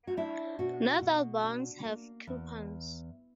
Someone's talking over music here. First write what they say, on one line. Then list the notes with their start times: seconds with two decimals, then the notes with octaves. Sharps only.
Not all bonds have coupons.
0.07 F#4
0.17 D4 E4
0.59 B2 F#4
1.02 B2
1.43 D4
1.85 A#3
2.27 E2